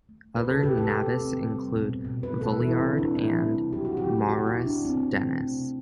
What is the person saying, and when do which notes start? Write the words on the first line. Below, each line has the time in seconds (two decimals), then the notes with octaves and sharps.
Other Nabis include Vuillard and Maurice Denis.
0.09 A3
0.36 C3 B4
0.50 A4
0.63 C3 G4
0.77 A4
0.92 A3
1.20 C4
1.49 G3
1.76 B2
2.05 B2
2.23 B4
2.32 G3
2.41 A4
2.60 E3 E4
2.79 C4
2.89 E3
2.98 D4
3.16 G3 E4
3.44 C3
3.73 F#3 G4
3.85 F#4
3.97 F#3 G4
4.28 F#3 F#4
4.47 E4
4.56 B2
4.65 D4
4.85 C4
5.13 A3
5.41 C3